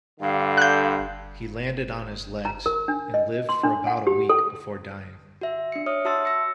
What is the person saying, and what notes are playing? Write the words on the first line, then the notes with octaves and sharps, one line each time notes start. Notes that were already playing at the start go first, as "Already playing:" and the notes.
He landed on his legs, and he lived for about a week before dying.
G2 D3 F5
F#6 G6
A#5
A#4
D4
D#5
C6
D4
F#5
G4
A4
F#4 E5
D4 C#7
C#5 E5 D#6 F6
F#4 E5 A5 C6 E6 A6
E6 A#6 C#7